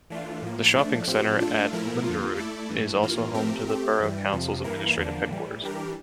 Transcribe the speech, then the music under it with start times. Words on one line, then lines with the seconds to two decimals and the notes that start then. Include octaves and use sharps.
The shopping centre at Linderud is also home to the borough council's administrative headquarters.
0.10 E3 A3 D4 F4
0.42 A2 F3 A#3
0.74 F3 A3 D4
1.07 A2 F3 C4 G4
1.40 A3 D4 F4 A4
1.72 A2 F3 A3 E4 A#4
2.04 F2 D3 F3 A#3 F4
2.37 A3 E4 A4 D5
2.69 G2 E3 A3
3.01 G2 E3 A#3 F4
3.34 F3 A3 C4 G4 A#4
3.67 A3 C4 G4
4.00 G2 E3 G3
4.32 F2 C3 F3
4.64 G2 E3 A#3 E4 A#4
4.97 E2 D3 F3 A#3 D4
5.29 A2 E3 G3
5.62 E3 G3 D4 G4 A#4